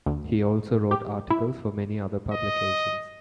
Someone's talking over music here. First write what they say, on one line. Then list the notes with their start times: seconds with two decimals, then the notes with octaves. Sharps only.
He also wrote articles for many other publications.
0.06 D2
0.91 G4
1.30 E4
2.32 D#5